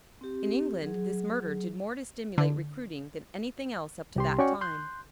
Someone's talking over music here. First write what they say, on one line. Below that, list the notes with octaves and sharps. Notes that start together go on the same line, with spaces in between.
In England this murder did more to stimulate recruiting than anything else up to that time.
C4 G4
F#3 G#4
D3
C2 G4 C6
C#4 F#4 D5 G5 G#5 C#6
C6 F#6 G6